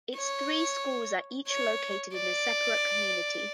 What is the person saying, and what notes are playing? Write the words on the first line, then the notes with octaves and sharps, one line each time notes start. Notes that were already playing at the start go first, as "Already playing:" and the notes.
Its three schools are each located in a separate community.
C#5
C#5
D5